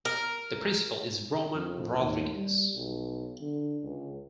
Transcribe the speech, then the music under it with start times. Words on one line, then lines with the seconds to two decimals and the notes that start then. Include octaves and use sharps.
The principal is Roman Rodriguez.
0.05 A#4
1.55 F2
1.98 D#2
2.35 G3
2.74 B1
3.41 D3
3.84 C#2